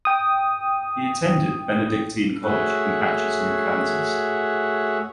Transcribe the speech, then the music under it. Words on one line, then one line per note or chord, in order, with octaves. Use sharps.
He attended Benedictine College in Atchison, Kansas.
G5 D#6
A3 F#4 G#4 C#5 E5 F#5